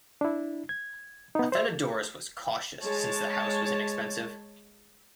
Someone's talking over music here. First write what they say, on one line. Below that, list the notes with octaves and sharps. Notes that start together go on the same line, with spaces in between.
Athenodorus was cautious since the house was inexpensive.
D4 E4
G#6
B3 D#4
C5 E5
G#3 C#5 A5